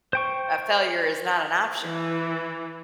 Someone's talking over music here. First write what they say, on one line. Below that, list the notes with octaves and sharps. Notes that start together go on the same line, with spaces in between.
uh, failure is not an option.
C5 G5 C#6
E3